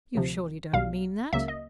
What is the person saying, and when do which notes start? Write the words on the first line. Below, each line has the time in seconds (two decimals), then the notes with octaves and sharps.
"You surely don't mean that?"
0.15 D2 C3 F3
0.73 B1 B2 G3 F5
1.33 C#2 C#3 F#3 A#3 E5
1.48 D#5